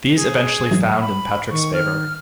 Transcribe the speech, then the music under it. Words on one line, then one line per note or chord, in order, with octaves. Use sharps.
These eventually found in Patrick's favour.
G#4
G#2 E3 F#3
B5
D#3 C#6
F6